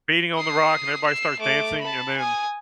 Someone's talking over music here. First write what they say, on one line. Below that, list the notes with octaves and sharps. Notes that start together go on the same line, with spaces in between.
beating on the rock and everybody starts dancing and then
D#6 C7
E6 C7
A3 D6
A5 B5
G#5 D#6